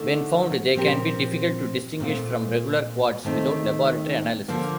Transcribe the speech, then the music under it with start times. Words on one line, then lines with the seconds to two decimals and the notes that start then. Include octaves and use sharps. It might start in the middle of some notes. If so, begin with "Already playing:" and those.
When found, they can be difficult to distinguish from regular quartz without laboratory analysis.
Already playing: D3 A3 D#4 A4 D5
0.75 A#2 F3 C4 G4 A#4
2.00 A#2 A3 C4 F4
3.23 D#2 D#3 A3 C4 D#4
4.48 D3 F3 A#3